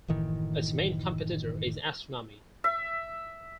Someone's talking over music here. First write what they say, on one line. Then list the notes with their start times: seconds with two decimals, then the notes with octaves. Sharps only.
Its main competitor is "Astronomy".
0.08 F#1 A2 D#3 E3
2.64 E5